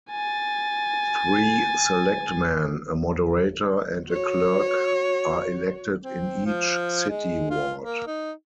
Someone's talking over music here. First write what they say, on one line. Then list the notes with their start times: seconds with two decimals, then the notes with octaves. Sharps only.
Three selectmen, a moderator, and a clerk are elected in each city ward.
0.11 G#5 A6
4.07 F#4 C#5
6.04 C4
6.45 F3
7.09 G#3
7.50 F4
7.82 A#3
8.07 D#4